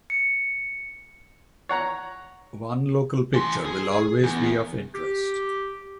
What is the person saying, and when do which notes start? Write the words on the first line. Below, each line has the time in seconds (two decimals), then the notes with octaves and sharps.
One local picture will always be of interest.
0.10 C#7
1.69 C#5 F#5 A#5
3.34 E3 C6
3.65 G#4
4.24 E3 B3
4.94 G4